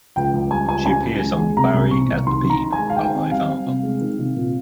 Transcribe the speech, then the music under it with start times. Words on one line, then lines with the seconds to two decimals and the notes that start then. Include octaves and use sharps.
She appears on "Bowie at the Beeb", a live album.
0.16 C#2 G5
0.34 C#2
0.51 G3 G#5
0.68 C#2 G#5
0.86 C#4 G#5
1.04 C#2
1.22 G#3
1.38 G#3
1.57 C3 A#5
1.74 C2
1.91 C2 C#6
2.09 C2
2.27 D#3 C6
2.43 D#3
2.50 A#5
2.61 D#4
2.72 G#5
2.79 G#3
2.90 F5
2.96 D#4 G5
3.14 C4
3.31 G3 F5
3.48 G3
3.66 C3
3.83 G#3
4.01 D#3
4.19 C3
4.36 A#2